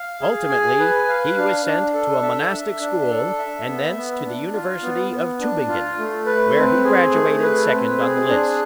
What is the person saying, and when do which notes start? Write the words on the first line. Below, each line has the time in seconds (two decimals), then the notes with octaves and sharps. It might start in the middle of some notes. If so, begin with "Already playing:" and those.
Ultimately he was sent to a monastic school and thence to the University of Tuebingen, where he graduated second on the list.
Already playing: F5
0.21 G#4
0.50 G#5
0.80 B4
1.09 F5
1.37 D4
1.65 D4
1.94 A4
2.23 E5
2.53 D4
2.80 D4
3.10 A4
3.39 E5
3.67 B3
3.96 B3
4.25 D4
4.54 F4
4.83 B3
5.11 B3
5.40 D4
5.68 F4
5.98 A3
6.26 B4
6.56 C4
6.84 G#4
7.13 A3
7.42 B4
7.71 C4
7.99 G#4
8.28 D4